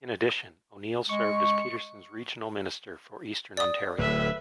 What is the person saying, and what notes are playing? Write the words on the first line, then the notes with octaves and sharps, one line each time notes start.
In addition, O'Neil served as Peterson's regional minister for eastern Ontario.
G#3 C#6
D5 D#6
D1 A2 B4 E5